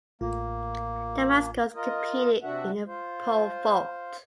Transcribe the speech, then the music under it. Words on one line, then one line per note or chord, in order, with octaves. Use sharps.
Damaskos competed in the pole vault.
A1 A2 A#3 F4
F4 A#4 D#5
C3 D4 F#4 E5 F#5
F4 C5